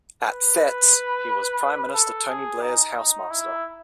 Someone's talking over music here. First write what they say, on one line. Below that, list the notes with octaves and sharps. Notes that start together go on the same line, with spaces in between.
At Fettes, he was Prime Minister Tony Blair's housemaster.
B4
A4
G#4
D#4
E4